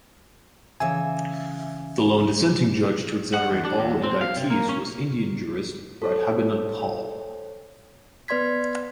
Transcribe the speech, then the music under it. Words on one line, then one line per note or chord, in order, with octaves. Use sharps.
The lone dissenting judge to exonerate all indictees was Indian jurist Radhabinod Pal.
C#3 E3 E5 G#5
F#5
E2
D4
E2
C4
F5
C3
A#3
C#4
A4 C5 C#5
B3 B4 D5 C6 G#6 B6